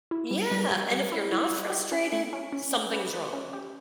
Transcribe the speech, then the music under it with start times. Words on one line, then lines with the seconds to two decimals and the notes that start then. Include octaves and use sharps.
Yeah! And if you're not frustrated, something's wrong.
0.11 E4
0.31 G3
0.51 G3
0.71 G3
0.91 G3
1.12 E4
1.32 E4
1.51 G3
1.72 G4
1.92 C#4
2.13 A3
2.33 C#4
2.52 C#4
2.73 C#4
2.94 B4
3.13 B4
3.33 C#4
3.53 G4